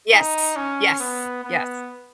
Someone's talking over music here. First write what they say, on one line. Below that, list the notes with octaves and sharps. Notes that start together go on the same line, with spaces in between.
Yes. Yes. Yes.
D#4
C#4
B3
B3